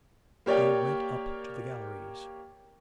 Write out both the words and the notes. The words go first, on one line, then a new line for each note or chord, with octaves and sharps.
They went up to the galleries.
A#3 G4 C#5 D5 G5